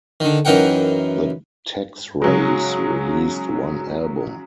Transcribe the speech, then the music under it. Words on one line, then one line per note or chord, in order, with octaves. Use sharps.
The Texreys released one album.
D3 D#3
F#2 E3 D#4 A#4 F#5 G5
C#3 F#3 G#3